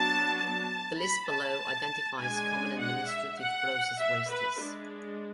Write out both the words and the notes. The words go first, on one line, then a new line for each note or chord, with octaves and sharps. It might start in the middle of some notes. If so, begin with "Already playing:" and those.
The list below identifies common administrative process wastes.
Already playing: F#3 B3 D4 A5
A5
B5
A5
G#3 D4 G#5
F#5
E5
F#5
E5
B4
G#3 D4